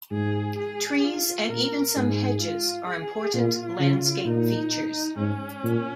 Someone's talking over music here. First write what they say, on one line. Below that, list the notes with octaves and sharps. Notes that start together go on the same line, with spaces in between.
Trees and even some hedges are important landscape features.
G#2 G#4
G#4
F4
A#2 A#4
G#2 G#4
F4
G#4
A#2 F4
C#3
A#2 D#4
G#2 C#4
A#2